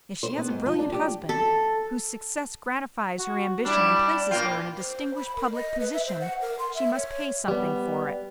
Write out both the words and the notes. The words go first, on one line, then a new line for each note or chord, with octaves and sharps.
If she has a brilliant husband, whose success gratifies her ambition and places her in a distinguished public position, she must pay something for it.
C5
B3
G#2
F3
D4
G4
A4
F#4
G3 D4 E4
A#2 A#3 F4 G5
C5
B5
A#4
D#5
B4
E5
C5
F#5
A#4
C6
E5
C#5
G3 B3